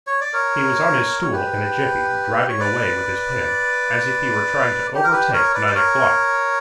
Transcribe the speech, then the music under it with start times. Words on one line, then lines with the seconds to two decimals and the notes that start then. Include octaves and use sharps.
He was on his stool in a jiffy, driving away with his pen, as if he were trying to overtake nine o'clock.
0.07 C#5
0.21 D5
0.33 A#4 C#5
1.21 C#5
1.33 G4 B4
2.49 C#5
2.60 B4 D5
4.95 G4
5.04 A#4
5.12 G4 B4
5.33 A#4 C#5
5.54 B4 D5
5.67 D5
5.75 A#4 C#5